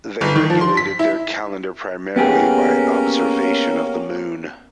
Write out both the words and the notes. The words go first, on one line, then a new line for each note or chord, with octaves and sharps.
They regulated their calendar primarily by observation of the moon.
G1
D#3
F3
C6
B6
E4
A#3 B3 C#4 G4 G#4